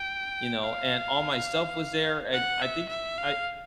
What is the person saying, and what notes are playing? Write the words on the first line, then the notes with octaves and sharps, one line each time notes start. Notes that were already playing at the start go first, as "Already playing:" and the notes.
you know, and all my stuff was there, and I think I
Already playing: G5
F5
F#5
E5
E5
F5